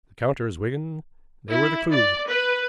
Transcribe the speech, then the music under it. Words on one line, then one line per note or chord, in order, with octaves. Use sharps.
The counters, Wigan, they were the clew.
E4
D5
B4